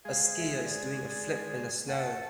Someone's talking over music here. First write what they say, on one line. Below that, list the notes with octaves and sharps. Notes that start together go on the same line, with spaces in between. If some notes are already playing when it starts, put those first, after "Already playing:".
A skier is doing a flip in the snow.
G#3 G#4 F5
E5
D5
A3 A4 F#5